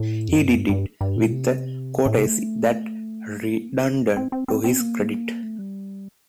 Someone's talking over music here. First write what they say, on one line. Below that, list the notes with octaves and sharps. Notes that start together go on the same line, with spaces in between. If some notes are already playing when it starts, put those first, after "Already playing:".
He did it with a courtesy that redounded to his credit.
Already playing: A2
F2
G2
F2
G2
G2
G2
A#2
C3
A2
C3
A3
A#3
C4
D4
C4
A#3
C4
C4
C4
C4
C4
A#3
A3
G3